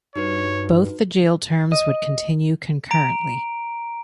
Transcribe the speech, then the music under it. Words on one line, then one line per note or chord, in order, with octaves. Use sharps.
Both the jail terms would continue concurrently.
G2 D#4 F#4 B4 C#5
D#5
A#5 D7